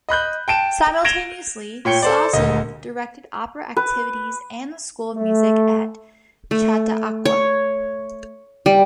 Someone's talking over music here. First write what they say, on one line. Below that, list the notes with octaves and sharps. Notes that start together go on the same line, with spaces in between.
Simultaneously, Stossel directed opera activities and the school of music at Chautauqua.
D#5 B5 F#6 G6
G5 A5 D7 E7
G#6 A#6 D7 E7 F7 G7
A#2 C#5 G5 C#7 G7
A4 C5 D5
D#1 D2 A#3 D#5
B4
A3
A3
C#5
G3